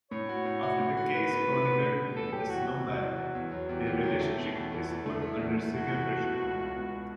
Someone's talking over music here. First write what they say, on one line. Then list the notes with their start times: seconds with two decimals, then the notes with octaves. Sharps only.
After the case chronicled in "The Snowman", their relationship is put under severe pressure.
0.11 A2 C#5
0.29 F#4
0.45 A2
0.63 F#4
0.80 A2
0.97 F#4
1.14 F#4 B4
1.30 B3
1.48 A2
1.65 B3
1.82 A2
1.99 G3
2.15 E2 A4
2.33 F#3 G4
2.50 E2 F#4
2.67 E2 F#4
2.84 B2
3.01 F#3
3.18 E2
3.35 E2
3.52 F#3
3.69 E2 G4
3.87 E2
4.03 F#3
4.20 A3
4.38 B2
4.54 E2
4.72 E2 A4
4.88 E2
5.06 A3
5.22 A3
5.39 E2
5.57 A3
5.74 B2 F#4
5.91 E2
6.07 A3
6.24 B2
6.42 C#2
6.59 C#2
6.76 B2